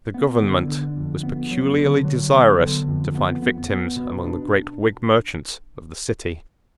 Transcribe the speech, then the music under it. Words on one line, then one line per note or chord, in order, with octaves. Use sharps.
The government was peculiarly desirous to find victims among the great Whig merchants of the City.
B3
D3
D3
F2
B3
F#3
D3
F#3
B3
D3
F2
B3
B3
B3
B2
D4